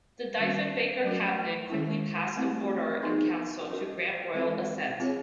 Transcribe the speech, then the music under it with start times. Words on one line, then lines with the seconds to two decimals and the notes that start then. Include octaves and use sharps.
The Diefenbaker Cabinet quickly passed an order in council to grant royal assent.
0.38 D#3 G3 A#3 C#4 F#4
1.04 F#3 A3 C#4 F#4 A#4
1.69 D#3 G#3 C#4 E4
2.36 A3 C4 E4
3.02 B3 D#4 G#4
3.68 C#4 F#4 A#4 D#5
4.33 E3 G#3 C4 F4 A4
5.00 C4 F4 G#4 C#5